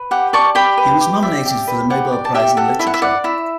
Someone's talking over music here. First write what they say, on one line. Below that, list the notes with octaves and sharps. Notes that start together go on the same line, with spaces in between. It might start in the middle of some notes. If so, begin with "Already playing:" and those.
He was nominated for the Nobel Prize in Literature.
Already playing: B4
G4 F#5
D5 A5 C#6
G4 G5 B5
B4
G4
D5 E5
G4
B4
G4 F#5
D5
A5
G4 E5 G5
A4 F#5
E4 E5
F#5
E5
D5 F#5
E4 E5